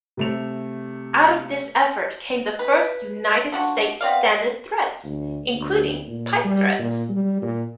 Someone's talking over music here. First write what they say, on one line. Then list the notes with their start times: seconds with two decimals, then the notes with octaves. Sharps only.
Out of this effort came the first United States Standard threads, including pipe threads.
0.17 C3 A3 F7
2.59 B4
3.52 F3 D4 F#4
4.01 B3 C4 D5 F5
5.04 D2
5.55 D2
6.08 A#2
6.44 G3
6.79 A#2
7.09 G3
7.42 A#2